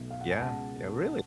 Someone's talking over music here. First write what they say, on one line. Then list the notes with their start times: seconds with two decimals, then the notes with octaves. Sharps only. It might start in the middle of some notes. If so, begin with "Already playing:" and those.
Yeah, yeah, really,
Already playing: B1 B2 A3
0.10 F5
0.20 F#5
0.30 G#5
0.40 C#2 B2 G#3 F#5 A5